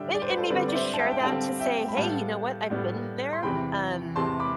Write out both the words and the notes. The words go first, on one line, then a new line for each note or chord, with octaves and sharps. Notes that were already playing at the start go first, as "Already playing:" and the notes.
an and maybe I just share that to say, "Hey, you know what? I've been there." Um,
Already playing: D3 G3 D4 E5 G5
D5
C5
B4
A4 C5
D3 G3 C4 B4 D5
D5
C5 E5
A5
E5 G5
G5
D3 G3 C4 F5 A5
E5 G5
B5
A2 G3 B3 D4 F5 A5
A2 G3 B3 D4
C6
E2 C3 E3 G5 B5
E2 C3 E3 A5 C6
B5 D6